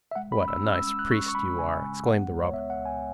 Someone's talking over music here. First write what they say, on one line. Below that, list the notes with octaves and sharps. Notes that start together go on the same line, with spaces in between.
"What a nice priest you are!" exclaimed the robber.
E5
G#3 F#5
B5
C#4
E6
C#4 E6
E6
G#3 E6
F#6
C#4 C#6
C#6
G#3 B5
C#3 G#5
G#3
B3 F#5
C#2
C#5
B3 E5
F#5
C#2
G#5